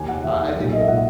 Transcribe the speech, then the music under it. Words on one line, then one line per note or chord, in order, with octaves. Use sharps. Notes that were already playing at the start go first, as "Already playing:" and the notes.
I I think, onc
Already playing: D#2 D#3 G#5
F#5
F#5
D#2 D#3 E5
B1 A#2
D#5
E5
A#2 F#5